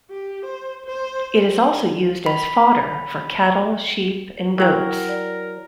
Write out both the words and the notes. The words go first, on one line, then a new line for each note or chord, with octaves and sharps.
It is also used as fodder for cattle, sheep and goats.
G4
C5
C5
B5
F#3 E4 A#4 G5 A#5
D5